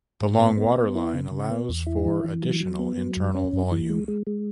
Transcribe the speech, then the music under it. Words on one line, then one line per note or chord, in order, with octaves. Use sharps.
The long water line allows for additional internal volume.
G#2
B3
B3
B3
E4
C#3
C#3
B3
E2
E4
E3
E3
F#3
F#3
B3
F#3
F#2
C#4
F#2
E3
G#3
G#3
G#3